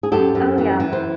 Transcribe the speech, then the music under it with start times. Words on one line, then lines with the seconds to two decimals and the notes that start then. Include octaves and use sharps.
Oh, yeah.
0.03 G#4
0.12 F#2 G4 A4
0.35 F#2
0.58 E3
0.80 E3
0.93 C5